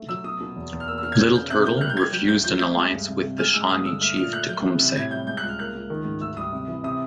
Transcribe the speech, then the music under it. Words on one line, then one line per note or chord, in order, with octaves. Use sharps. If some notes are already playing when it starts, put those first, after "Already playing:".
Little Turtle refused an alliance with the Shawnee chief Tecumseh.
Already playing: A3
F#3 E6
B2 D#6
B2
E2
E2
F6
A#3 E6
E6
B2 F6
G#6
C#3 G6
C#3 G6
C3 F#6
A#3 G6
F6
G3 F#6
G6
G3 G#6
F#3 G6
D2 G6
F3 G6
A3 G6
G#3
G2
C3
C3
G#3 F6
G#3 E6
G2 D#6
D3 E6
A3 F6
A#2 F6
A3 F#6
F#3 G6
E3
C3
A2 G#6
G3 G6
G#3 G6
F#6
C#2
F6
A#3 F#6
C#2
D#3
G#2
D2 E6
G3 D#6
C3
E3
C3 D#6